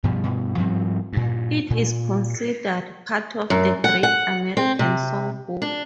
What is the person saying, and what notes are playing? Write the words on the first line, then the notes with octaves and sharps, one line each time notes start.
It is considered part of the Great American Songbook.
G2 B2 F3 G3
G2 B2
G#2 F3 G3 C4
G2 A#2
A#2
F#2
F#5
F#5
C4
C3
D4